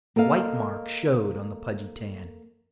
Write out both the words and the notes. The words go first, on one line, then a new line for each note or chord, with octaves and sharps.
White marks showed on the pudgy tan.
A#3 A4 D#5 F5